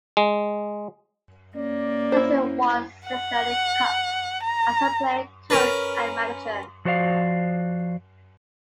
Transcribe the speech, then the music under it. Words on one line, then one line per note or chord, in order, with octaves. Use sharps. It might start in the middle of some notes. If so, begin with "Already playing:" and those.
Patrick won six Stanley Cups as a player, coach and manager.
G#3
A#3 C#4 D5
E4 C5
F#5
A#5
C#4 A#4 B4
F3 F#4 C5 D5 F5